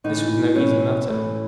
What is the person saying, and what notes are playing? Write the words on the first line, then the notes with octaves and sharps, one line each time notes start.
This was no easy matter.
A2 E3 A3 D#4
A2 E3 A3 C#4
A2 E3 A3